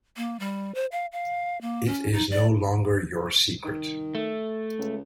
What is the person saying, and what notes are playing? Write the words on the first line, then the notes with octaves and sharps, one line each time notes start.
It is no longer your secret.
A#3
G3
C5
F5
F5
A#3
C#4
D#4
D5
D#3
A3
C#2